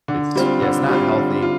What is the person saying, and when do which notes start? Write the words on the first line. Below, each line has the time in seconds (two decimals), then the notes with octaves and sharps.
It's Yeah, it's not healthy.
0.08 D3
0.36 G3 C4 F4
0.62 D3
0.89 G3 C4 F4
1.16 D3
1.42 F4